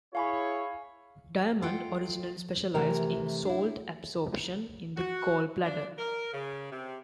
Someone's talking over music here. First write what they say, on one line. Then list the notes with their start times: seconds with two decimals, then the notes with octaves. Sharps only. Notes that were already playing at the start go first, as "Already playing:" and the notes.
Diamond originally specialized in salt absorption in the gall bladder.
0.15 E4 G#4 C#5 F5 G#5 B5
1.62 F4 A4 D#5 F#5 G5
2.74 C3 E3 A3 G4 A#4
3.45 D4 E4
4.98 F#4
5.64 D4
5.98 A#4
6.33 C#3
6.72 C3